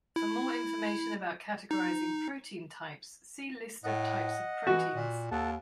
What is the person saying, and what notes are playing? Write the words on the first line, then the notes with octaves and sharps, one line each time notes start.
For more information about categorizing protein "types", see List of types of proteins.
E4
D#4
A2 D#5 F#5
E3 F#4
A#2
D#2 A4 F#5 A5